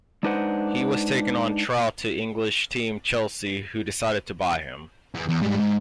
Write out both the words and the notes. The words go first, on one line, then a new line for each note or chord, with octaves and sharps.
He was taken on trial to English team Chelsea, who decided to buy him.
G#3 D4 D#4 B4 C5 F#5
E2
E2
G#2 G3
G#2